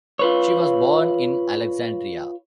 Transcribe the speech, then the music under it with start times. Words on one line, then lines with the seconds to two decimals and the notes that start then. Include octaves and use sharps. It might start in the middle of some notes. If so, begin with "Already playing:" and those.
She was born in Alexandria.
0.19 F4 B4 C#5